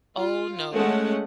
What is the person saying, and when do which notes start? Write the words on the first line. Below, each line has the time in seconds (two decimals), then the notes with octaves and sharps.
oh no."
0.16 F4
0.74 G#3 A3 C#4 F#5